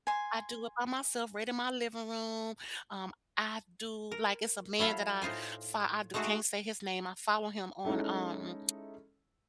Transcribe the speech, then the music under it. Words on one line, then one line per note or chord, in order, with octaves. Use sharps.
I do it by myself right in my living room. Um, I do like, it's a man that I fo I can't say his name I follow him on, um,
G#5 C6
A#4
F#3 E4 A4 F5
A2 D#4 F4 C5 G#5
G#3 A3 D#4 F#4 G#4 A4
G#3 C#4 D#4 E4 A4